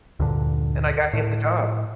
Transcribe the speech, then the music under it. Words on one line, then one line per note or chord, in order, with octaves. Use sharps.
and I got him the job.
D2 G2 A#2 D3
A2